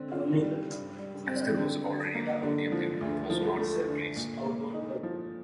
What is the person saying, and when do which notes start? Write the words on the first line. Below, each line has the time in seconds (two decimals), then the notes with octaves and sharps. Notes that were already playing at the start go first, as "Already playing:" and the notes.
As there was already an Odeon there, it was not replaced.
Already playing: D3 C4
0.12 F4
0.41 G3
0.70 G2
0.99 G3
1.27 C4
1.57 D3
1.85 D3
2.14 A#3
2.43 D3
2.72 F3
3.01 D2
3.30 F3
3.58 A3
3.87 D3
4.16 A#2
4.46 A#3
4.74 D#4
5.03 F3